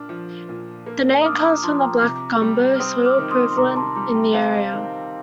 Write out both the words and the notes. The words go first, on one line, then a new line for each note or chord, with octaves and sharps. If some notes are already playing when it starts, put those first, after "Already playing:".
The name comes from the "black gumbo" soil prevalent in the area.
Already playing: A#2 D4 D6 F6
F3
A#2
A#3
D#6
D4 D6 F6
D#6
A#5 D6
F3 A5 C6
C6
G5 A#5
C3 A#5 D6
G3
F6
C4 C6 D#6
D6 F6
D#3
C6 D#6
C6
C3 A#5 D6
A5 C6
G3 A#5 D6
G5 A#5
C4 F5 A5
D#3